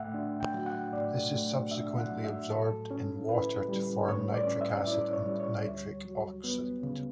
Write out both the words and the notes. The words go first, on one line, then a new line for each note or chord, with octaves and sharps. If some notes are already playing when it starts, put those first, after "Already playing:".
This is subsequently absorbed in water to form nitric acid and nitric oxide.
Already playing: A2 A3 E5 F#5 G5
D4
G5
F#3
F#5
A2 D5
A3
D4 E5
F#5
F#3
E5
A2 A4
C#4
E4 B4
G3
A2 C#5
D5
C#4
E5
E4 D5
C#5
G3
C#5
D2
F#3
B3
C#3